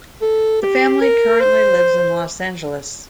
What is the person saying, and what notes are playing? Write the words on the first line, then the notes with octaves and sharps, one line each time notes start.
The family currently lives in Los Angeles.
A4
G4
A#4
C5